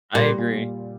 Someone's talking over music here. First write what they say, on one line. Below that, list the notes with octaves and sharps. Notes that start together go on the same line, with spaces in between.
I agree.
A#2 G3
A#2